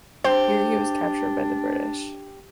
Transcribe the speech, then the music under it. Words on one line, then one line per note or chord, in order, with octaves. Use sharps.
Here he was captured by the British.
D4 G4 C5